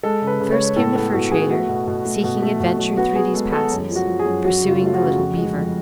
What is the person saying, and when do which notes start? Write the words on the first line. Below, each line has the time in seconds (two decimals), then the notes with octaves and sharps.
First came the fur-trader, seeking adventure through these passes, pursuing the little beaver.
0.03 G#3 A4
0.22 C#3
0.27 B4
0.40 C#3
0.52 C#5
0.58 G#3
0.76 A2 A4
0.95 B3 A4
1.13 A2 F#4
1.31 B3 G#4
1.50 A3 F#4
1.69 B2
1.87 B2
2.05 A3
2.24 B2
2.42 A3
2.60 B2
2.79 F#3
2.97 B3 F#4
3.16 B3 G#4
3.34 G#3 A4
3.52 G#3 A4
3.70 F#2
3.90 F3
3.96 F#4
4.08 F3
4.19 G#4
4.25 F#2
4.45 F#3 F#4
4.63 C#3
4.68 F4
4.81 A3 F4
4.94 F#4
4.99 C#3
5.18 F2
5.37 G#3
5.55 F2